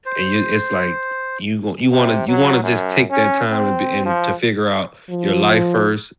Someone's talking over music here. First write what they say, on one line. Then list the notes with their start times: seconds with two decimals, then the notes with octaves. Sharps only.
And y it's like, you gonna you wanna you wanna just take that time to be and to figure out your life first,
0.06 C5
1.92 C3
2.28 F#3
2.63 F#2
3.10 C#4
3.52 C4
4.06 F3
5.10 F3